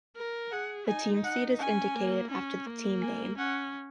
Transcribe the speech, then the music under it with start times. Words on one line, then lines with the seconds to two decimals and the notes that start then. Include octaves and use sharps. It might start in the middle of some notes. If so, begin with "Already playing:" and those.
The team seed is indicated after the team name.
0.17 A#4
0.51 G#4 F#5
0.87 D#4 G#5
1.24 F#5
1.59 C#4 G#5
1.95 A#3
2.30 C#4
2.66 A#3
3.02 G#5
3.37 C#4 F#5